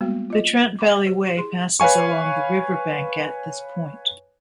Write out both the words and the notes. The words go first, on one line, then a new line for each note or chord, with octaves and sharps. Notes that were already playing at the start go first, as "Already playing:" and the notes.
The Trent Valley Way passes along the riverbank at this point.
G3 G#3 A#3 B3 F#4
F4 D#5
D#5 F#5 B5 C#6 D6
G4 C5 C#5
E4 G#4 C6
B4 C#5 F5 G#5 C#6